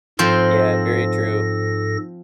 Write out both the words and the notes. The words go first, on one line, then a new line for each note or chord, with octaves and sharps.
Yeah, very true.
G#2 F3 C4 A4 A#6